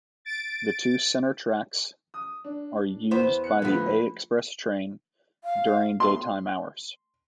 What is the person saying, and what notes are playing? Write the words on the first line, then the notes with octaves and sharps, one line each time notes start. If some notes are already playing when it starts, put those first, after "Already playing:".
The two center tracks are used by the A express train during daytime hours.
A6 D7
D#6
D4
E2 B3 C5
F#6 C#7
D3 F3 A3 B3
F5
C6